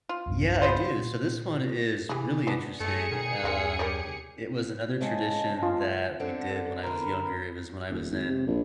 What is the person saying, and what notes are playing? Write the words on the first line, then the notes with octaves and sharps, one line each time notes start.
Yeah, I do, so this one is really interesting, um, it was another tradition that we did when I was younger, it was when I was in
F4
B1 E2 G2
B3 F4 C5
A#2
C3 E3 G4 G#4
B3 D4 G#5
F#2 A3 G#4 C#7
B2 D#3
D#2 A#3 C4 F5
G4 A#4 C#5 D5
G#2 C#3 G#3 D#5 G#5 A5
F4
D3 C4 D4 A4 F#5
D3 A#4 C5 B5
D#1
G#1
C3
A#1